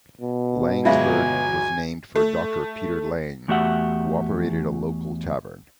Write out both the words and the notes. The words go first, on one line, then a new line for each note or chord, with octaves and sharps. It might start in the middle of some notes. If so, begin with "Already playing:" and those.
Laingsburg was named for Doctor Peter Laing, who operated a local tavern.
B2
G1 F#3 G#3 F4 E5 F5 G#5
A3
E2 A3 F#4 G4 E5 F#5